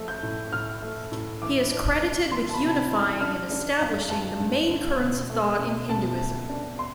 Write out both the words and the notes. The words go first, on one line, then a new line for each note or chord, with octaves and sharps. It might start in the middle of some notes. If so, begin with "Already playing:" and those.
He is credited with unifying and establishing the main currents of thought in Hinduism.
Already playing: F3 A3
G6
A2
A2 F6
A3
A2
E3 D6
D4
D4
E3 C6
A5
B5
C3
A5
B5
E3
F6
D4 F6
D4
G2
G2 A5
G2
D3
B2
A3
B2
B2 A5
A3
D4
C6